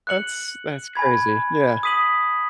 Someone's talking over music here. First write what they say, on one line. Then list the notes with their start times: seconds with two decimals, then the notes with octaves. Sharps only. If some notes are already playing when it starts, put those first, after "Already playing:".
That's that's crazy, yeah.
0.07 F#6 C#7 F#7
0.95 G#5 B5 G#6
1.83 D#6 B6 D#7 F#7